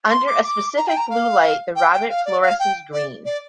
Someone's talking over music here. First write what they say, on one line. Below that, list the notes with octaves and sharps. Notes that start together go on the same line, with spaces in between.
Under a specific blue light, the rabbit fluoresces green.
C6
D6
D6
A#5
G5
A#5
F5
G5
G5
F5
D5
F5
G5
D5
D5